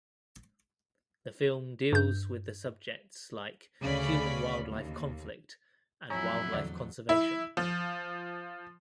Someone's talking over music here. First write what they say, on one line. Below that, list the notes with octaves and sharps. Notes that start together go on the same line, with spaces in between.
The film deals with the subjects like human–wildlife conflict and wildlife conservation.
G2 G6
D2 C#3 C#4 D5 B5
D#2
F2 A2 F#3 E4 C#5 G#5 A#5
E2 D3 D5
E4
F3